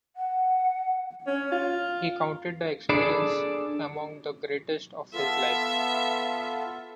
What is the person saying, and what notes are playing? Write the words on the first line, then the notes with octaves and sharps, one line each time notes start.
He counted the experience among the greatest of his life.
F#5
C#4
F4
D4 G#4 A4 D5 A5 B5
B3 F4 A4 E5